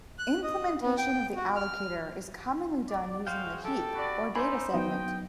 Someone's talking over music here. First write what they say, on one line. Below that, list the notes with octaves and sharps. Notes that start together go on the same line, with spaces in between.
Implementation of the allocator is commonly done using the heap, or data segment.
F#6
D#5
B3
G5
F#4
F6
D5
G#3 F#4 C5 F5 G5
G4 A4
F#4 D5 B5
D#4 C5 E5 G#5 B5 C6 D6
F#3 B3 D#4 D#5 G5